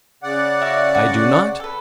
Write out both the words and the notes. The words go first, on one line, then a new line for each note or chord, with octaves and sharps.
I do not.
C#3 D5 F#5
E4 F#4
F#4
A4 B4